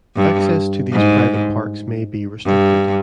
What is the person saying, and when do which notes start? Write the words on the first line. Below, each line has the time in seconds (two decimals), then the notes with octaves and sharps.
Access to these private parks may be restricted.
0.16 G2
0.92 G#2
2.45 G2